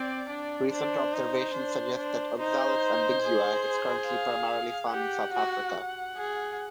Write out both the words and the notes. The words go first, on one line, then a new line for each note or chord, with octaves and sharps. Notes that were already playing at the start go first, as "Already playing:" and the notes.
Recent observations suggest that "Oxalis ambigua" is currently primarily found in South Africa.
Already playing: C4 D5
D4
D4 C5
D#4
D4
D4
D#4 C5
G#4
F5
G4 F#5
F#4
G#4